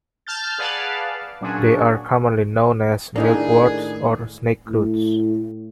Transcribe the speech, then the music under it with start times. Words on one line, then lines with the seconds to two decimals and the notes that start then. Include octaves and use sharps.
They are commonly known as milkworts or snakeroots.
0.27 A5 F6 G6 A6
0.58 G#4 B4 D5 F5 F#5 A5
1.41 A#2 F#3 C#4 D4 F#4 G#4
3.16 A2 D#3 A#3 D4 E4 G#4 D5
4.67 A2